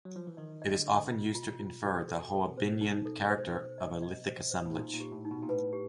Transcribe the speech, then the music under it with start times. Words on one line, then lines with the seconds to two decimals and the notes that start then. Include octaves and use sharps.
It is often used to infer the Hoabinhian character of a lithic assemblage.
0.05 F#3
0.16 F3
0.27 E3
0.37 D#3 D#5
0.62 D#5
0.74 D3
0.86 D#5
1.10 B2 F4
1.35 F4
1.59 F4
1.84 F#4
2.09 A4
2.33 A4
2.49 C3
2.57 B2 C5
2.81 D#4
3.06 A4
3.30 C5
3.54 C5
3.78 D#5
4.02 D#5
4.28 C5
4.51 C5
4.66 A2
4.75 A#2 D#4
4.94 A#2
5.00 G4
5.12 A2
5.25 D#4
5.31 B2
5.43 A#2
5.49 A2 B4
5.73 G4